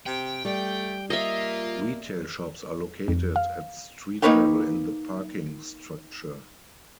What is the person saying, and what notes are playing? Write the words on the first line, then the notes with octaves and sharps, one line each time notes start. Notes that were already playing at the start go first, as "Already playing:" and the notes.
Retail shops are located at street level in the parking structure.
C3 G5
G3 A3
A#3 F4 D#5 E5
F2
F5
A#3 D#4 A#4 B4 C#5 G5